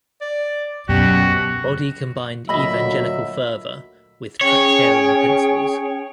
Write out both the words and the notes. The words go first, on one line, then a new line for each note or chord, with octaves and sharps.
Body combined evangelical fervour with tractarian principles.
D5
F#2 B2 F#4 G4
D2 A#2 F#3 D#5 E5 B5
C#4 G#4 C#5 G5